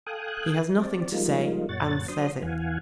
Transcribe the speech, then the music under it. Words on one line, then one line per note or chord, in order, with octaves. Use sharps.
He has nothing to say and says it.
A4 F5 G5 G#5 D#6 F#6
C4 D5
F3 G3 G#3 A#3 D#4 F4
F#2 A#2 C#5 F#5 A6
F#3 D4 C5 C6 D#6
E2 E3 F5 F#5 G#5